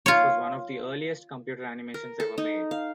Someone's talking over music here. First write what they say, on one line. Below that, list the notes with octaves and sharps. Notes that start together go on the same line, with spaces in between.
This was one of the earliest computer animations ever made.
F4 C#5
A#4
A4
D#4
F5